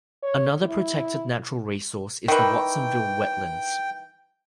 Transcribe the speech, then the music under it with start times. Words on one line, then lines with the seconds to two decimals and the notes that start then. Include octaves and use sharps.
Another protected natural resource is the Watsonville wetlands.
0.23 C#5
0.62 E4
2.28 D#3 E3 G5